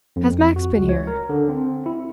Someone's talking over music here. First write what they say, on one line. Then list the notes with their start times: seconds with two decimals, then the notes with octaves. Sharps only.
"Has Max been here?"
0.16 F2
0.56 F#4
0.77 C#2
0.89 C#5
1.07 A#4
1.29 D3
1.49 C4
1.86 E4